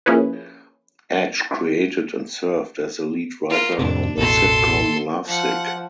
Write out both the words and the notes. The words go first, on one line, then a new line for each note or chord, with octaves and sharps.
Edge created and served as the lead writer on the sitcom "Lovesick".
F3 A#3 C#4 E4 G#4 B4
F4 A#4
F2 A2 C3 D4
A1 E2 B2 A4 C6
F3 F#5